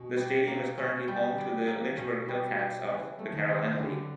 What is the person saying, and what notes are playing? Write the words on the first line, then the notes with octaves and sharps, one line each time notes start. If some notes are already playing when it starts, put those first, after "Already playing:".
The stadium is currently home to the Lynchburg Hillcats of the Carolina League.
Already playing: B2 C#4
G3
A#3
C#4
G3
G3
A#3
B2 C#4
G3
G3
C#3 E3
A3
D#3
C4
C#3
G2 D3